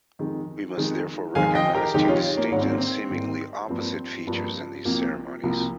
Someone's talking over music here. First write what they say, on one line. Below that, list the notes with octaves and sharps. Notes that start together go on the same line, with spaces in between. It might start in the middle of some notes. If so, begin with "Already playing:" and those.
We must therefore recognize two distinct and seemingly opposite features in these ceremonies.
F2 D#3 G#3
F2 D#3 G#3
F1 D#2 D#3 G#3 F5 G#5
D#5 G5
G4 A#4
F1 D#2 D#3 G#3 D#4 G4
C#4 F4
A#3 C#4
G#1 G#2 G3 A#3 C#4
C4
A#3
C4
G#1 G#2 G3 A#3
G2 F3 A#3 C4
G2 F3 A#3
C2 C3 F3 A#3
C2 C3 F3 A#3